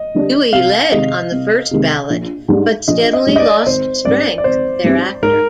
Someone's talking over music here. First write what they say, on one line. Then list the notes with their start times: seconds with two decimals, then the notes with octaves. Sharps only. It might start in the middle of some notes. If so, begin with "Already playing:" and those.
Dewey led on the first ballot, but steadily lost strength thereafter.
Already playing: D#5
0.14 D3 G3 D4 G4
0.53 C2 F5
0.92 C3 D#3 G#3 D#5
1.32 C2
1.71 C3 D#3 G#3
2.10 A#1
2.48 G#2 G3 D4
2.88 A#1 D#5
3.13 D#5
3.26 G#2 G3 D4
3.36 D#5
3.40 D5
3.66 G#1 C5
4.05 G#2 G3 C4 D5
4.38 D5
4.44 G#1 C5
4.84 G#2 G3 C4
5.22 G#2 A#4